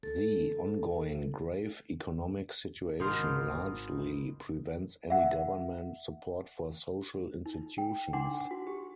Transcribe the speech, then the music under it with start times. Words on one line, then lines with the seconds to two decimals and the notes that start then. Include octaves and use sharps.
The ongoing grave economic situation largely prevents any government support for social institutions.
0.03 A4
2.99 G#1 C4 D#4 C6 F6
5.10 E5 F#5
7.46 D#4
7.78 G5
8.13 D4 D#4 F#5 C6 D6
8.51 F#4
8.67 G4